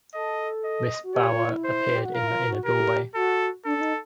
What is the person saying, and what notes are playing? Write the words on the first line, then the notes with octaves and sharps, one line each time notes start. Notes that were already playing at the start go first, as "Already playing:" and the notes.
Mrs. Bower appeared in the inner doorway.
A4 D#5
D#5
F#4
G4 C#5
F4
E4
C5
G4
F#4
F4 A#4
E4
F4
F#4
G4 A#4
F#4 A4
D4 A4
D4
D#4